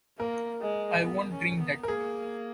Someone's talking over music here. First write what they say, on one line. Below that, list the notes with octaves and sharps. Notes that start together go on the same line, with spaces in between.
I won’t drink that.
A#3 A#4
G#3
B3
C#4
B3
A#4
A#3 G#4